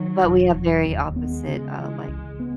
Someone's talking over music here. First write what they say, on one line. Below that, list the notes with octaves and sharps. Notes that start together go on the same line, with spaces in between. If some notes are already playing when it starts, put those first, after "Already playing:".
but we have very opposite, uh, like,
Already playing: D#3 F#3
E1
E1
D#2
G#3 B3
C#3
E3
C#2
B3